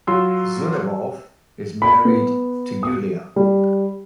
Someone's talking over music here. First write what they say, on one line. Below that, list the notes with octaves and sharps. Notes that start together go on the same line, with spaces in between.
Zurabov is married to Yulia.
F#3 F4 C6 E6
B5
B3
D#6
G3